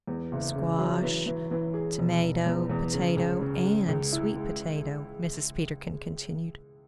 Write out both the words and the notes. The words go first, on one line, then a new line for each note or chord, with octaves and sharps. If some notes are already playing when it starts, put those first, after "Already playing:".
"Squash, tomato, potato, and sweet potato," Mrs. Peterkin continued.
E2
F#1
C#3
F#3
E3
E3
E3
G#4
E1
E1
E2
E2
C#3
C#2
C#3
G#3
C#2
E4
G#3